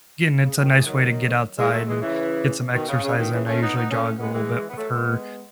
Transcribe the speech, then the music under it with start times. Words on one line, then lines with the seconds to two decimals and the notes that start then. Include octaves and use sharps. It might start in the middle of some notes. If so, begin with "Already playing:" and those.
getting into a nice way to get outside and get some exercise and I usually jog a little bit with her,
0.42 C#3
0.56 B2 D#3
0.71 E3 G#3
0.85 D#3 F#3
1.57 E3 G#3
1.72 F#3 A3
1.88 E3 G#3
2.01 C#3 E3
2.73 B2 D#3
2.88 C#3
3.03 C#3
3.17 B2 D#3
3.32 C#3 E3
3.46 A3 C#4
3.61 B3 D#4
3.75 B3 D#4
3.90 A3 C#4
4.19 G#3 B3
4.34 E3 G#3
4.69 B3
4.77 F#3 A3
4.92 G#3 B3